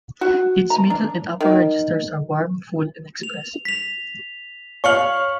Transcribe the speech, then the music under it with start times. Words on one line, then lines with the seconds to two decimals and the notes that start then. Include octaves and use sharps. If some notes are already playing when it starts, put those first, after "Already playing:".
Its middle and upper registers are warm, full, and expressive.
0.21 F#4
0.70 A#5
0.90 D4
1.41 D#3
3.23 F7
3.65 B6 F7
4.84 C#5 F5 C#6 F6 C#7 F#7